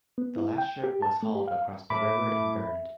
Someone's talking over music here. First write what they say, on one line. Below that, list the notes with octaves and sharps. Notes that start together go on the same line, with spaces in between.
The last ship was hauled across the river and burned.
B3
E4
G5
G4
A5
A3
G4
F5
A2 E5 B5 D6